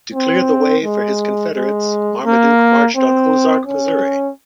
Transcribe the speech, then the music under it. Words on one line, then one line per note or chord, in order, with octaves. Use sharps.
To clear the way for his Confederates, Marmaduke marched on Ozark, Missouri.
C4
G#3
G#3
A#3
C4
C#4